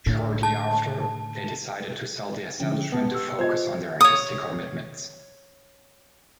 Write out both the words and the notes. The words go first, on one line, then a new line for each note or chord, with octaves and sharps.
Shortly after, they decided to sell the establishment to focus on their artistic commitments.
A2 D3
A5
D3 F3 C#4 G5
B3 B4 A5
G4 E6
F4 C5 C#5 D#5 G#6
C#5 D#6